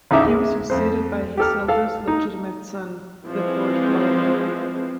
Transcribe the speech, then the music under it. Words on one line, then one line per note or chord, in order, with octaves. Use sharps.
He was succeeded by his eldest legitimate son, the fourth Baron.
A1 C#3 D#4 G#4 E5 D6
G#3 G#4
F2 C5
G4 A4 F6
A4 F5
D#4
E3 F3 G#3 C4